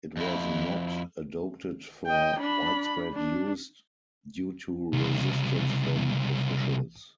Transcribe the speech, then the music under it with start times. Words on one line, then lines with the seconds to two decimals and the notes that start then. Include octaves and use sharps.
It was not adopted for widespread use due to resistance from officials.
0.17 F2 E4
2.06 D#5 G5
2.40 D4 B5
3.13 D4
4.93 C2 C#3